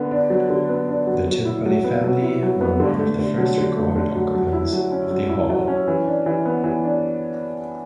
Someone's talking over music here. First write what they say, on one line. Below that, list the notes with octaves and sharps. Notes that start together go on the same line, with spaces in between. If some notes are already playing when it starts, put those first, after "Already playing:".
The Timperley family were one of the first recorded occupants of the Hall.
Already playing: D3 B3
D4
F#3
D3
B3
D4
F#3
F#3
E4
F#3
B3
F#3
E4
F#3
B3
D3
A3
D3
F#3
D3
A3
D3
F#3
F#3
E4
F#3
C#4
F#3
E4
F#3
C#4
E3
D4
E3
B3
E3
D4